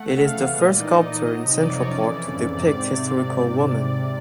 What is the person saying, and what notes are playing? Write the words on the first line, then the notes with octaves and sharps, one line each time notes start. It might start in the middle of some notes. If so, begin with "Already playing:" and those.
It is the first sculpture in Central Park to depict historical women.
Already playing: A3 F#5
C#3
F5
E3
A#2 D#5
D5
D#4
D#5
D#4
F#3 D#5
C3
D5
F2
C#5
C#4 D5
E3
G#2
C3 D5
C3
C3